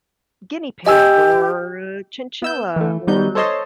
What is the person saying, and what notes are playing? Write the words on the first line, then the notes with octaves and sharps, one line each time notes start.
guinea pig, or a chinchilla, or
G4 D#5 G#5 E6
B3 E6 G6
E3 A3
D#3 G3 B3 D#4 G6
A4 C5 C#5 D#5 A5 C6